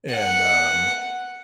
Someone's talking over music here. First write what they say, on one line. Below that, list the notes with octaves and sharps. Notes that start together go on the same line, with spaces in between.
And um,
F#5